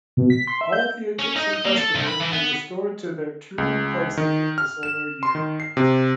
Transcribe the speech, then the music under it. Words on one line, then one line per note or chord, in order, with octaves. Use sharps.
All the Egyptian festivals were restored to their true places in the solar year.
B2
B6
C6
E5
G6
C#4
D#4
D#5
A#3
A4
C2
B5
E3
B3
C#2
D#3
F6
E7
C6
D#3
C7
C3